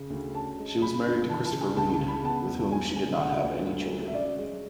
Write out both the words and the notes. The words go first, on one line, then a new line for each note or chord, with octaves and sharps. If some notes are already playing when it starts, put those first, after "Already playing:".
She was married to Christopher Reed, with whom she did not have any children.
Already playing: C#3
D2
C#4 A5
G#3
F#2 B5
D3
E3 A5
A5
C#3
G#5
C#2 A5
A5
C#3
B5
B3 A5
E2
F#3 G#5
C#3 G#5
D2 F#5
D2
D2
F#3
E5
C#4 D5
G#3